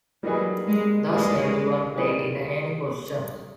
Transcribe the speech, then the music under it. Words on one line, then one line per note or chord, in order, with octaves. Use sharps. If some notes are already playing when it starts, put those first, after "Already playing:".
Thus, everyone played in any position.
F#3 G3 A#3 D#4 G#4 B4
G#3
G3 G#3 A#3 D#4 G#4 B4
G3 A#3 D#4 G#4 B4